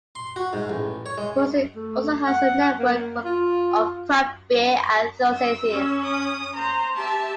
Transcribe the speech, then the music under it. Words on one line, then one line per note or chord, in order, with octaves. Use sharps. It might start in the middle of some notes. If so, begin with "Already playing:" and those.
Muncie also has a network of craft beer enthusiasts.
C6
F#4
G#2
A1
C#5
G#3
A3
F#5
A#3
F4
E6
C#4
D#6
C5 A#5
G4 E5 A5